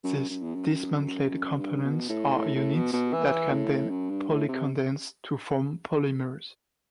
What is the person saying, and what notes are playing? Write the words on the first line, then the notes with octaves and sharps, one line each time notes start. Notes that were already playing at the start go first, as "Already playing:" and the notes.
These dismantled components are units that can then polycondense to form polymers.
F#2
F#2
E2
F#2
G2
B2
A2
A2
A2
B2
B2
E3
A2
F#2
G2
A2
C3